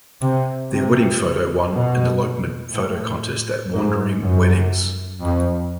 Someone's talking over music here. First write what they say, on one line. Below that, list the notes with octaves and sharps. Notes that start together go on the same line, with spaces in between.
Their wedding photo won an elopement photo contest at Wandering Weddings.
C3
C3
B2
A2
G#2
F#2
F2